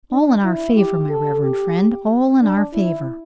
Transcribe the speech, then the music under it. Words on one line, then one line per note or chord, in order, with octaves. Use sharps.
All in our favor, my reverend friend--all in our favor!
D4
E4
G4
A4
G4
D4
E4